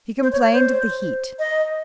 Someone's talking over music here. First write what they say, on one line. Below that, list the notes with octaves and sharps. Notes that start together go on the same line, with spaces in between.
He complained of the heat.
C5
C#5
C#5
C5
D#5